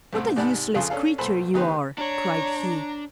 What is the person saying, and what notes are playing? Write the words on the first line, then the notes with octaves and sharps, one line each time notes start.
'What a useless creature you are!' cried he.
C2 A2 A3 C4
G#2 C3 D5 F#5 A5 B5
F2 C#3 F4 A4 C6
C#4 D4 A4 F5
B1 A#2 A4 C5 B5
D2 D#4 G4 B4 C5
D4 C#5 A#5